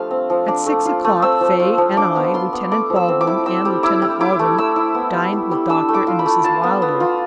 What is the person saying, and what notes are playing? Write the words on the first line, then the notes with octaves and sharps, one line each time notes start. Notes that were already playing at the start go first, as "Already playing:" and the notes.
At six o'clock Faye and I, Lieutenant Baldwin, and Lieutenant Alden dined with Doctor and Mrs. Wilder.
Already playing: F3 G3 A3 D4 F4 F5
C4
F3
D4
A3
F4
A3
C4 E6
F3
F4
F3
D4 D6
B3
F4 C6
B3
A3 D6
F3
E6
C4
D6
E4
C4 E6
G3
E4 D6
G3
E4 D6
A3
A3 E6
E4
B3
G3
E4
G3
D4 E6
A3
D6
F4
B5
A3
F4 A5
B3
B3
F4